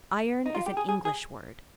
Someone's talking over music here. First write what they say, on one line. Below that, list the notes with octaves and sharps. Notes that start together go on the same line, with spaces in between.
Iron is an English word.
D#4
F4
G4
G#4
G#4
G#4